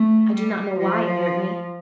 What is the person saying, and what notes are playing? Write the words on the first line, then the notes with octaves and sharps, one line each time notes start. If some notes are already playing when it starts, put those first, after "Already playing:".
I do not know why it hurt me.
Already playing: A3
G3
F3